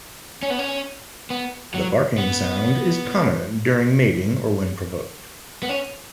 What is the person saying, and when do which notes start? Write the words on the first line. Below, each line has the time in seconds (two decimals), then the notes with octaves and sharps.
The barking sound is common during mating or when provoked.
0.43 C#4
0.50 B3
0.59 C#4
1.30 B3
1.74 F#3
2.18 B3
5.63 B3
5.69 C#4